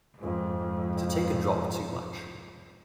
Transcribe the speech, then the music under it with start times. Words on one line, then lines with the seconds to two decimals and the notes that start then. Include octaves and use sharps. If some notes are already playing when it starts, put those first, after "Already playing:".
To take a drop too much.
0.19 F2 G#2